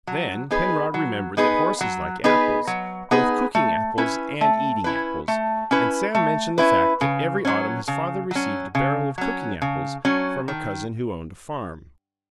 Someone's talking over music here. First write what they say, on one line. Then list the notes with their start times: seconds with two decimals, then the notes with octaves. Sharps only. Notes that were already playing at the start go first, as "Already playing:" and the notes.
Then Penrod remembered that horses like apples, both "cooking-apples" and "eating-apples", and Sam mentioned the fact that every autumn his father received a barrel of "cooking-apples" from a cousin who owned a farm.
0.07 F#3
0.51 B3 D#4 G#4 B4
0.94 F#3
1.37 B3 D#4 G#4 B4
1.81 F#3
2.24 B3 D#4 G#4 B4
2.67 F#3
3.11 B3 D#4 G#4 B4
3.55 A3
3.98 C#4 E4 B4
4.41 A3
4.84 C#4 E4 B4
5.28 A3
5.71 C#4 E4 B4
6.15 A3
6.58 C#4 E4 B4
7.01 C#3
7.45 F#3 C#4
7.88 C#3
8.31 F#3 C#4
8.75 C#3
9.18 F#3 C#4
9.62 C#3
10.05 F#3 C#4
10.48 D#3